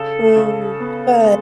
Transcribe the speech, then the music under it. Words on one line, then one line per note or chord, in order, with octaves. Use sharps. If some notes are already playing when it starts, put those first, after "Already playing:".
Mm. Good
Already playing: C#3 A4
C#3
B3
G#3